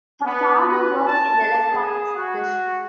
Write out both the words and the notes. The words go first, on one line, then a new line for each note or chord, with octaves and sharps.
Her father worked in the electronics industry.
B3
B4
A5
G#4
F#4